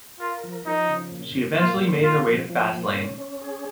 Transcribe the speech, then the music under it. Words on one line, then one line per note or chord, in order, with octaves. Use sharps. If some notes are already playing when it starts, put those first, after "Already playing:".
She eventually made her way to Faslane.
F4 A#4
F3
F3 D#4
C#3
A#2
A#2
A#3 F4
A#2
A#2 F4
F3
F3
A#2
C#4
C#4
G#4